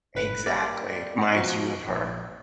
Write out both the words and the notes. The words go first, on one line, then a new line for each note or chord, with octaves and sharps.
Exactly, minds you of her.
G1 B4
G3 A#3 D5
B2 F3 F#4
A#1